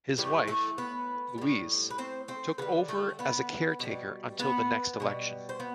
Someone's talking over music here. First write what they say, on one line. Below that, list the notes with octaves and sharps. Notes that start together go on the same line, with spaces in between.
His wife, Louise, took over as a caretaker until the next election.
A2 E3 G3 A3 G4
A3 A4
B3 B4
A2 G3
B4
C4 C5
C4 C5
D3 G3 B3 B4
A3 A4
B3 B4
B2 G3
B3 B4
B2 G3
C5
B3